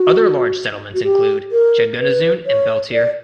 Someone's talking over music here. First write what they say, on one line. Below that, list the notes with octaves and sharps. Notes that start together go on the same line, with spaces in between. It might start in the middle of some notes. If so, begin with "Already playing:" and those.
Other large settlements include Chaganuzun and Beltir.
Already playing: F#4
F#4
G4
A#4
B4
C#5
D5